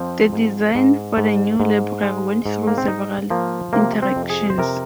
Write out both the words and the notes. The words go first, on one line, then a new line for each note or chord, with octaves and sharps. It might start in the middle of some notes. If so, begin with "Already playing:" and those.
The design for the new library went through several iterations.
Already playing: F2 F3 C4
G#2
G#2
G#2
G#2
G#3
G#2
A#3
C4
G#2 D#4
F3 A#3
C3 A#3
C4
F2
G#4
C5
C3 A#4